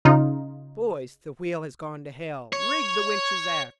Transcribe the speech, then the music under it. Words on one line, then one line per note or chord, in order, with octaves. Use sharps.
Boys, the wheel has gone to Hell--rig the winches aft!
C#3 D#4 F4
C#5